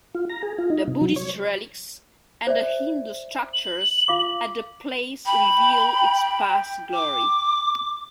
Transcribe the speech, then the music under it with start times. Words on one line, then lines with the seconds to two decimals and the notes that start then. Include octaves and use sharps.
The Buddhist relics and the Hindu structures at the place reveal its past glory.
0.15 F4
0.30 A#5
0.43 G#4
0.58 F4
0.70 D#4
0.87 C3
1.01 F#3
1.16 C#5
2.47 C5 D5 E5
3.54 F#7
4.08 F4 F5 D6
5.26 G5 B5
6.94 D6